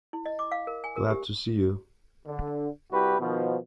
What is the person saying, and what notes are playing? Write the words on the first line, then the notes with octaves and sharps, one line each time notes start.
Glad to see you.
E4
D#5
D6
F5
A#4
G#5
A#4
G4
D3
C2 G3 E4 F#4 G4 B4
B2 D#3 F3